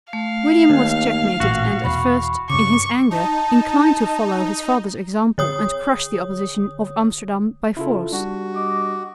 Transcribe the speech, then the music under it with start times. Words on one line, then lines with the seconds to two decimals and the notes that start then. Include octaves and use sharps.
William was checkmated and at first, in his anger, inclined to follow his father's example and crush the opposition of Amsterdam by force.
0.13 A3 F5
0.70 D#2
1.40 A1 A#2 E3 F#4
1.84 E2 B2 B5 C#6
2.50 G2 C#3 C#6 D6
3.11 D#4 A5
5.38 D3 C#5 D#6
7.77 C#3 E4 F4 A4
8.12 G3 D4 F#4
8.54 D#5 D6